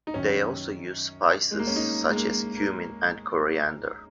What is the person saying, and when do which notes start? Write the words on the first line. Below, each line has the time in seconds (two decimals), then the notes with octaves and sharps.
They also used spices such as cumin and coriander.
0.07 D#4
0.14 F#2 D#3 C#4
1.51 G#3
1.59 A#3
1.67 C#4
1.76 D#4
2.09 G#3
2.16 A#3
2.57 A#3